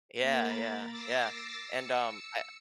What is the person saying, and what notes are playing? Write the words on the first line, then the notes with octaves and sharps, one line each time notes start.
Yeah, yeah, yeah, and, um, I
A#3 A#4 A#5 B5 A6
D6 E6 A6 A#6 C7
E6 C#7